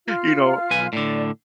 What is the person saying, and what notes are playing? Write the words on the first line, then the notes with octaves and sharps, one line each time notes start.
you know
F4 F5 F6
B1 B4 G#5
A2 D3 D5